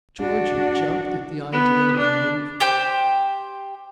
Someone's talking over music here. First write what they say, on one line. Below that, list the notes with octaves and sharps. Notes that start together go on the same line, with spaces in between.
Georgy jumped at the idea of a move.
D4 F#4
B3
D4
G4 C5 G5